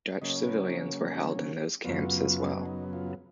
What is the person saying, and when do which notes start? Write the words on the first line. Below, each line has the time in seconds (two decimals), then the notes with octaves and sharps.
Dutch civilians were held in those camps as well.
0.22 C#3 F#3 A#3 C#4 D#5
0.42 B4
0.62 D#4
1.84 F#2 C#3 F#3 B3 F4
2.66 D#4
2.93 F4